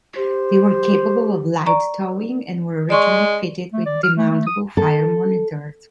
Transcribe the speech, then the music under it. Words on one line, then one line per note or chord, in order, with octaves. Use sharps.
They were capable of light towing, and were originally fitted with demountable fire monitors.
G4 C5
D5 A#5 C#6
G#3 D5 C6 C#6
A3
D5
F6
A3
A3
D#6
A4